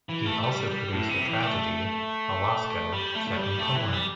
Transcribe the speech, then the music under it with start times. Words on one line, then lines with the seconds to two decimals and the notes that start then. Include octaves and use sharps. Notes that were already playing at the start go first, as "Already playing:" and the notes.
He also produced a tragedy, "Alasco", set in Poland.
0.09 E3
0.26 A3
0.42 A3
0.48 G3
0.70 G3
0.92 A2
1.09 C3
1.26 E3
1.42 A3
2.92 G3
3.15 A3
3.28 A3
3.36 G3
3.59 A3
3.75 E3
3.93 G3